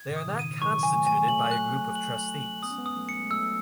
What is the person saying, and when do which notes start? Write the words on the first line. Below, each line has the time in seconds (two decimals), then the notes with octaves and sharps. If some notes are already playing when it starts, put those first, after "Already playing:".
They are not constituted by a group of trustees.
Already playing: G#6
0.10 A2 C#3
0.16 D#6
0.27 B2 D#3
0.39 C#3 E3 D#7
0.61 D#3 F#3 C#6
0.83 G#5
0.94 F#3 A3
1.07 G#5
1.28 F#3 A3 F#7
1.51 F#6
1.74 F#6
1.95 F#7
2.18 F#7
2.41 F#7
2.63 B3 D#6
2.71 C#4
2.78 G#3 B3
2.86 D#6
2.96 F#3 A3
3.09 C#7
3.20 G#3
3.30 F#3 A3 E6